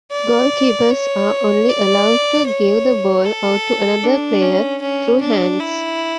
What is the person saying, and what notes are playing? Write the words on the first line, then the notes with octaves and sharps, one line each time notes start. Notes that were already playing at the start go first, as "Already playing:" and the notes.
Goalkeepers are only allowed to give the ball out to another player through hands.
D5
C#5
D5
C#5
A4
D4
C#4
C#4
D4
E4